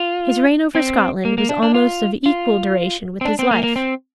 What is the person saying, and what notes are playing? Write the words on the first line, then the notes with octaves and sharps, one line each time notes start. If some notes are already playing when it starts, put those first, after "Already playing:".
His reign over Scotland was almost of equal duration with his life.
Already playing: F4
C4
A#3
A#3
D4
D4
F4
F4
C4
D4
C4
A#3
A#3
C4